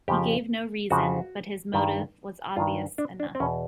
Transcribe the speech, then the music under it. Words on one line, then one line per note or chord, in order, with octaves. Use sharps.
He gave no reason, but his motive was obvious enough.
F2 C#3 F3 G4
F2 C#3 F3 F#4
G2 D#3
G2 D#3 F4
D4
D4
C4
E2 B2 C#4